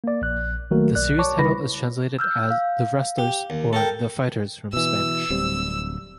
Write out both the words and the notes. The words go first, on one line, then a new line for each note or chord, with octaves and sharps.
The series title is translated as "The Wrestlers" or "The Fighters" from Spanish.
A#3 D5
A#1 F#6
D#3 F#3 A3 A#3 F#4 A#4
B1 D5 F#6
C#5 A5 C#6 D6
C#3 G3 E4 B4 B5 A#6
E6 F6 G6
F5
G4
D#2
A4 A#4 G5
B2 E3 E6
D1 G3 C4